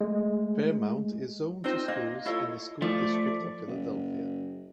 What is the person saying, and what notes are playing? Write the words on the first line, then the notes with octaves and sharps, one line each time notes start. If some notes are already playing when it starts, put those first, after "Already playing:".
Fairmount is zoned to schools in the School District of Philadelphia.
G#3 A3
C4 D#4 F4 C5
A#3 D#5
A3 E4 F4 A4 C#5 D#5
F3 A3 D5
F#1